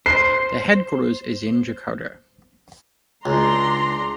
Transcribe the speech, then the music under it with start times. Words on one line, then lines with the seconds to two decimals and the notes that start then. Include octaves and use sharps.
The headquarters is in Jakarta.
0.06 C5 C7
3.26 C#2 D4 A#5 C6